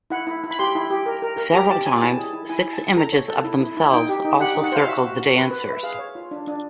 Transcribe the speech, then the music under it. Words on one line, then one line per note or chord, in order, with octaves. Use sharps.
Several times six images of themselves also circle the dancers.
E4 F#5
E4
E4
B5
G4 C6
E4
G4
A#4
A#4
A#4
G4 A#5
G4 A5
C#5 G#5
E4 A5
G#4
E4
E4 G#5
E4
A5
E4
A4 A#5
C#5
A4
E4
E4
E4
D#4 G5
G4
D#4
G4 F#5
D#4
F#5
C5 F5
F#4 E5
F#4
F#4
B4
B4
B4
E5
G#4 F5
C#5
F4
D4
D4